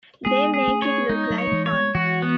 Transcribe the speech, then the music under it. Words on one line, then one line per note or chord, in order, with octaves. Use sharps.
They make it look like fun.
G#3 B3 G#4
G#4
A3 C#4
C#5
G#3 B3 D#4
F#3 A3
C#5
A3
E3 G#3
C#5
G#3 B3
E3 G#3 F#4
B3